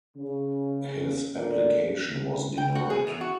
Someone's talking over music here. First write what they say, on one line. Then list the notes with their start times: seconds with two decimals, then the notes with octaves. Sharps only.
His application was denied.
0.16 C#3
1.34 D2 A#2 D3 A#4 D5
2.58 G5
2.75 F#4
2.90 G#4
3.07 E2
3.21 F#4